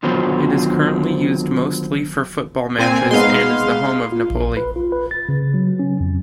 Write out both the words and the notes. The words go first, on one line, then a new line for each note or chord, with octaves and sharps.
It is currently used mostly for football matches and is the home of Napoli.
D3 D#3 F3 F#3 B3 C5
A#2 C4 G#5
G#3 B3 D#4 F5 C6
F4
A#1
B4
F4
B4
A6
C#3
F#3
C#4
F2